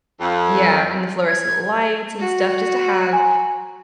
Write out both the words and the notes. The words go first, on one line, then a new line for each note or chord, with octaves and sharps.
Yeah, and the fluorescent lights and stuff, just to have,
F2
G#6
F#4
G#5 A#5 C6